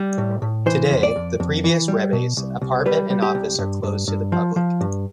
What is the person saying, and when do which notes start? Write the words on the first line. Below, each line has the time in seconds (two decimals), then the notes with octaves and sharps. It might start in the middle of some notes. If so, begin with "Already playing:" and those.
Today, the previous Rebbe's apartment and office are closed to the public.
Already playing: G3
0.18 A2
0.42 A2
0.66 E3 C5
0.91 F2
1.03 D5
1.16 F2
1.40 F2
1.64 E3
1.88 G3
2.13 B2
2.37 C2
2.62 C2
2.86 G3 B4
3.10 G3
3.22 G4
3.35 C2
3.59 G2
3.83 G2
4.08 G2
4.32 F3
4.56 F3
4.81 G2